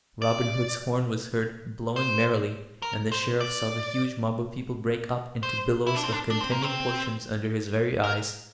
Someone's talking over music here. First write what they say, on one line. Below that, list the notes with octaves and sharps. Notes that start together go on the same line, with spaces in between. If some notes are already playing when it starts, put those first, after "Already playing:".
Robin Hood's horn was heard blowing merrily, and the Sheriff saw the huge mob of people break up into billows of contending portions under his very eyes.
D5
C5
A#4
C5
D5
C5
E4
D4
C4
D4
D4
C4
A#3
C4
A#4